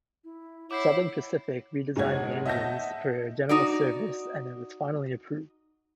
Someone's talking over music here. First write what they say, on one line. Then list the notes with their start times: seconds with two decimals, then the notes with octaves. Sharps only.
Southern Pacific re-designed the engines for general service and it was finally approved.
0.24 E4
0.71 E4 C#5 F#5 D6 G6 C7
1.96 F#1 G#2 G#3 C#5 F#5 G#6
2.46 D#5 E5 F#5 A5 G6 A#6
3.49 D#4 F#4 D5